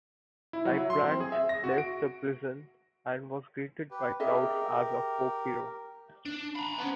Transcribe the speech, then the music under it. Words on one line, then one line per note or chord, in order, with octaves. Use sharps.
Leibbrandt left the prison and was greeted by crowds as a "folk hero".
E4
F#3
E5
C6
C4
G#4
E5
A#6
F#4
D7
G4 B4
G4 G#4 A#4 D#5 E5
D4
A#5 B5
B3 C#4